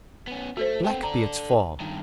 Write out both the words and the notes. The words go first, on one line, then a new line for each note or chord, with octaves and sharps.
Black be its fall!
B3 C#4
A3 F#4 A4 C5
B3 C4 G5
A4 D5 A#5
G2 D#3